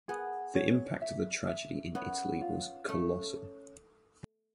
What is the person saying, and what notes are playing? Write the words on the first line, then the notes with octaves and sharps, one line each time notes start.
The impact of the tragedy in Italy was colossal.
B3 G#4
C#5
E5
E5
B3 C#4
F4
A3 C#4